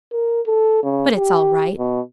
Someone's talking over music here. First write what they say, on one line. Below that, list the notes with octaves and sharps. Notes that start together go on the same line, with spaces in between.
But it's all right.
A#4
A4
C#3
G4
B2